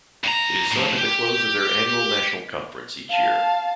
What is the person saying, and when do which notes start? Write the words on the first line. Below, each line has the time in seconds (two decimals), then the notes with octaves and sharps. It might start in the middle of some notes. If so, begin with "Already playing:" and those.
It is sung at the close of their annual national conference each year.
0.24 G2 A#5
0.72 A2 F3
0.98 G4
3.10 F5 A5